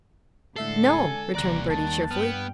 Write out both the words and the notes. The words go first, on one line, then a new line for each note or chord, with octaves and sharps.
"No'm," returned Bertie cheerfully.
A2 D3 G#3 A4 E5 C7
G#5
D#2 C3 G3 A#3 D5 A#5 F#6
D#3 A5
G2 B3 G5 F6